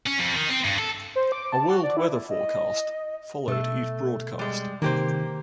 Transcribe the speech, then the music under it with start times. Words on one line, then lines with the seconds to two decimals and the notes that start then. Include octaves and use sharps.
A world weather forecast followed each broadcast.
0.06 C#4
0.19 F2
0.35 D#3
0.49 C4
0.65 G2
0.79 A4
1.16 C5
1.32 D6
1.52 A5
1.70 F#4
1.84 D5
1.97 E4
2.29 D#5
3.48 B2 A3 E6
4.39 G3 G#3
4.82 C3 D#3 A#3 G4 C5